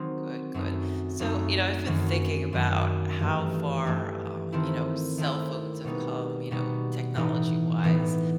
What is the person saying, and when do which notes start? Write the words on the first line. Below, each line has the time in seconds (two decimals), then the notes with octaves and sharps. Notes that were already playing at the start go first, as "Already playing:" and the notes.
Good, good. So, you know, I've been thinking about how far, um, you know, cell phones have come, you know, technology-wise.
Already playing: D#3 F#3 C4 D#4
0.54 F#2 F#3 A3 D#4
1.19 F#2 F#3 A3 D#4
1.86 F#2 D#3 F#3
2.53 F#2 D#3 F#3
3.19 G2 E3 A3
3.85 G2 E3 A3
4.52 D#3 A3 C4 E4
5.18 D#3 A3 C4 E4
5.84 B2 G3 B3 D#4
6.51 B2 G3 B3 D#4
7.15 A2 E3 B3 D#4
7.84 A2 E3 B3 D#4